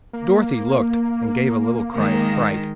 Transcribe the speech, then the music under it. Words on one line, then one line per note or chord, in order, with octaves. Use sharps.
Dorothy looked, and gave a little cry of fright.
A#3
D#3 G#3